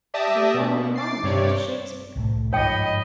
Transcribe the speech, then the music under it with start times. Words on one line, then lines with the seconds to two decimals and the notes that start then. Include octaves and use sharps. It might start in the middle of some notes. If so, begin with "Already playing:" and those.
Then why a monument to Shakespeare?
0.14 G4 D5 E5 A5 D#6 A#6
0.54 B2
0.96 D6 A6 C7
1.23 G2 C3 C#5 D5
2.16 C2 A2 A3
2.53 G1 G#2 F3 C#5 D#5 G5 B5